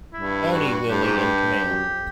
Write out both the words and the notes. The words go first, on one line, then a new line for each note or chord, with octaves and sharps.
"Tony" Lilly in command.
G2 E4
F#4
G2 G4
G#2
G2
F#2
F2